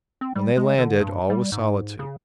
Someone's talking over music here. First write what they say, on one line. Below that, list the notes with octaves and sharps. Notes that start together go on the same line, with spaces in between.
When they landed, all was solitude.
C4
G3
G#3
D3
G2
G3
G#2
C#3